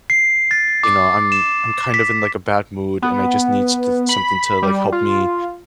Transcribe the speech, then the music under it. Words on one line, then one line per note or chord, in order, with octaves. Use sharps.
you know, I'm I'm kind of in, like, a bad mood and I just need s something to, like, help me,
C7
A6
D6
E7
B6
B3
B5
G3
F4